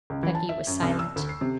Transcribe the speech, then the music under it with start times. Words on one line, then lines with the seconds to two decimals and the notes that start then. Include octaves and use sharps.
Becky was silent.
0.10 C#2
0.23 E3
0.35 A5
0.49 E5
0.67 F#2
0.82 C2
0.99 E6
1.16 D2
1.29 C7
1.41 C3